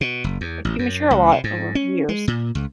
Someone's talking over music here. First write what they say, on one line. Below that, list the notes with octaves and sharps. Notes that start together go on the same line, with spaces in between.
Like, you mature a lot over years.
B2
F#1
E2
A1
F#2
C#2
C3
G#2
C#4
G#3
A#2
C#2